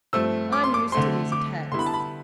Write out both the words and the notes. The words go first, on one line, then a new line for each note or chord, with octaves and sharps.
I'm used to these attacks.
G2 F3 A3 C4 E6
D6
C6
D6
D3 A3 C4 C6
D6
D3 G3 B3 E4 C6
B5
A5
B5